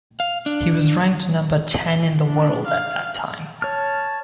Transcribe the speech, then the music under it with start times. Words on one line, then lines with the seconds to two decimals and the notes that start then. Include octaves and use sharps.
He was ranked number ten in the world at that time.
0.20 F5
0.46 D4
2.26 D4
2.67 F5
3.62 C#5 A5 F6